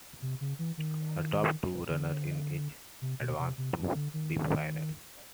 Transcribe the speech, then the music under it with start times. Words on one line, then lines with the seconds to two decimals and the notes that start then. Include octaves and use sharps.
The top two runners in each advanced to the final.
0.22 C3
0.41 C#3
0.59 E3
0.77 D#3
1.90 D3
3.02 C3
3.20 B2
3.39 C3
3.58 C3
3.95 D3
4.14 D#3